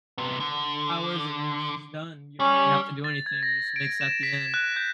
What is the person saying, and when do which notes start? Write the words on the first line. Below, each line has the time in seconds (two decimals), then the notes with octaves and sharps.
hours, and then it's just done. You don't really have to do anything. You just mix at the end.
0.18 C3 B3
0.40 D3
2.40 G3 C#4
3.04 A6
3.26 G#6
3.43 A#6
3.76 D7
4.01 E7
4.23 B6
4.54 F#6
4.76 G6